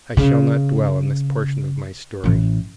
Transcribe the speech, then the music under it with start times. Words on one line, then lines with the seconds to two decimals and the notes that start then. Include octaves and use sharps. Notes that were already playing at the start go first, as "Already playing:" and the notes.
I shall not dwell on this portion of my story.
0.17 C#3
2.24 A1 E3